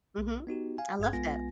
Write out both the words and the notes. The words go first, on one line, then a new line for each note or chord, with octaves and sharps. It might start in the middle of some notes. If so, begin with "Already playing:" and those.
Mhm, I love that.
B1
B3 D#4 F#4 G4
F5 G#5
G#1 G2 G#4 G#6
B1 G#3 B3 F4 G#5 A#6